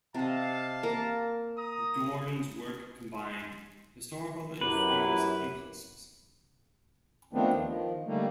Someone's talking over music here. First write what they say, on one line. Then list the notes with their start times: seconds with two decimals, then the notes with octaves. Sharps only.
Doran's work combined historical and formalist impulses.
0.14 C3 D#5 F5 A5
0.83 A#3 A#4
1.56 A#5 D#6
4.61 F#2 A2 E3 F#3 E4 G4 B4
7.33 D#3 F3 A3 B3 C4 D4
7.52 D#2
7.66 D#3 F3
8.06 D3 D#3 G3 A3 A#3